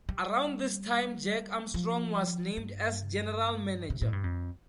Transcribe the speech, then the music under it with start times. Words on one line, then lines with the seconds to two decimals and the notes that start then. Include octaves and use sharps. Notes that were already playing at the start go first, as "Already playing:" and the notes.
Around this time Jack Armstrong was named as general manager.
0.09 G3
1.74 F3
2.57 G2
3.90 C3
4.01 A2
4.13 G2
4.24 F2